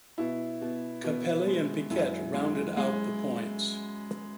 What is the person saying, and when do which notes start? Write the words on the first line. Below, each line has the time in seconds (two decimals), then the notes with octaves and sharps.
Capelli and Piquet rounded out the points.
0.18 B2 E4
0.61 B2
1.04 B2
1.47 G#3
1.90 F#2 E4
2.34 G#3
2.77 G#3